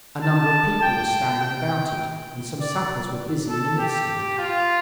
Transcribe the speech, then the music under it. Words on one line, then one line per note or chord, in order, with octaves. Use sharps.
A number of people were standing about it, and some sappers were busy in the midst of it.
A5
G5
G5
D5
A4
G4
F4